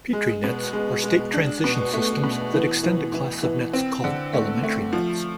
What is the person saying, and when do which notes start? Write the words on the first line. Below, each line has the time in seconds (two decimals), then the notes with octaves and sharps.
Petri nets are state-transition systems that extend a class of nets called elementary nets.
0.13 G#3
0.44 B2
0.73 G#3
1.04 G#3
1.33 D4
1.64 B2
1.94 A3
2.24 B2
2.54 E3
2.83 E3
3.14 E3
3.43 E3
3.73 C4
4.04 D3
4.33 A3
4.63 A3
4.93 F3